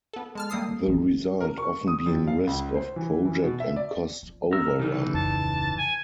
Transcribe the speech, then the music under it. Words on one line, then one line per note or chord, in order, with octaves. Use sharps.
The result often being risk of project and cost overrun.
B3 A4
G#3 A5 F6
G3 A#3 A4 D#6 C7
A1
A#4
C#6
D#6
F2
F5
C#2
C5
E3
E3
B2
E5
D5
F3
A#4 E6
C#3 E3 D#4
D1 F2 A5
G#5